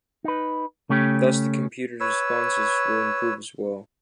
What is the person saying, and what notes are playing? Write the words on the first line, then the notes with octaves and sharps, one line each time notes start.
Thus the computer's responses will improve as well.
D#4 B4
C#3 A3 C#4 G4
B4 C#5 E6